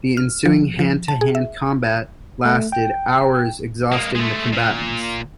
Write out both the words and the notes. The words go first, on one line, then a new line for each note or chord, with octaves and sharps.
The ensuing hand-to-hand combat lasted hours, exhausting the combatants.
F6
F3
F3
A5
G#4
E5
A3
G5
G#3 A#3
G#3 A3
A#2